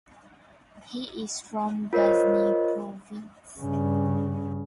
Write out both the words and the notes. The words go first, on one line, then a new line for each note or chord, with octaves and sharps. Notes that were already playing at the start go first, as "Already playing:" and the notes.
He is from Ghazni Province.
F4 A#4 C5 C#5 D#5
G2 C#3